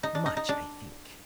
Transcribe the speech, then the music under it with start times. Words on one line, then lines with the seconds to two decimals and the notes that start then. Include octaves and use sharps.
Much, I think.
0.03 D#4
0.15 D4
0.26 D#4
0.37 D#4
0.49 D4